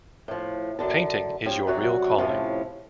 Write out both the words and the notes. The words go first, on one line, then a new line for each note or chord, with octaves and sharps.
Painting is your real calling.
A2 F3
F#2 D3 A5
F3 C#4 G4
F#2 C3 F#3 F#4 D5
A2 C3 F3 C#4